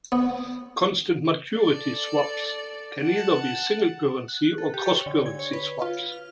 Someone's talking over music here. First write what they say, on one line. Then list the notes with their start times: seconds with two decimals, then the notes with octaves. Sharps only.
Constant maturity swaps can either be single currency or cross currency swaps.
0.12 B3
1.57 A4 D5
3.03 F#5 A5
4.28 F#6
4.58 A4
4.74 G4
4.86 C#5
5.06 D3
5.26 G#6
5.39 C#5
5.53 B4
5.82 F4
6.12 F6